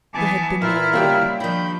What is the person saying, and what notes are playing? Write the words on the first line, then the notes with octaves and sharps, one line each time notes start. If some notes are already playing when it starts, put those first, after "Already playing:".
There had been no alarm.
E3 B3 G#5 A5 D6
A#2 E4 F4 A#4 F5
C#3 G3 A#3 G4
D#3 F3 D4 B5 G6